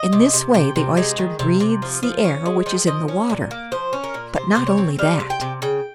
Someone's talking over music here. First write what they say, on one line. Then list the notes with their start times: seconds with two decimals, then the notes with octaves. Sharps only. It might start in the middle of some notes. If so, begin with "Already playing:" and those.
In this way the Oyster breathes the air which is in the water; but not only that.
Already playing: D#5
0.12 C3
0.33 C3
0.54 C3 G5
0.76 C3
0.97 G#3
1.18 D#3
1.39 C3
1.60 C3
1.82 F3
2.03 F3
2.24 C#4
2.46 G#3
2.66 F3 G5
2.87 F3 D#5
3.08 C#4
3.30 A#2
3.51 A#3
3.72 F3 C5
3.93 C#4
4.04 A#4
4.14 A#2
4.35 C3 C5
4.55 C3 C5
4.67 C#5
4.78 C4
4.99 G3 F5
5.20 C3
5.30 G5
5.41 C3
5.62 C#3 G5